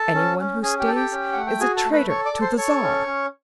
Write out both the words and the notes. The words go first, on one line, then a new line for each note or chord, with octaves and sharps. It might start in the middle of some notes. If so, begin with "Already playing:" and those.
Anyone who stays is a traitor to the Tsar.
Already playing: A4 A5
C#4
C#4
C#4 G#4 G#5
G4 G5
A4
G4 G5
C#4
A3 F#5
G5
F#4 G#4 G#5
A4 A5
A3
B4 B5
A4 C#5 C#6
D5 D6
A4
C5 C6
A4 C#5 C#6
C#4
C#4